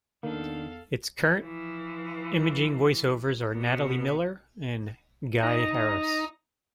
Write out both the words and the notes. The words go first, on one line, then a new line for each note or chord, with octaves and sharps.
Its current imaging voiceovers are Natalie Miller and Guy Harris.
E2 D#3 A#3 D4 A4 F5
E3 F3
B2 B3
D#4 A#5